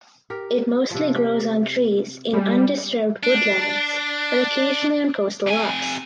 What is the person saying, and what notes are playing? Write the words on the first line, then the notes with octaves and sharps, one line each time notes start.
It mostly grows on trees in undisturbed woodlands but occasionally on coastal rocks.
G4 A#4
C3 F3
G4
G3 G#3
D4
C3 G#5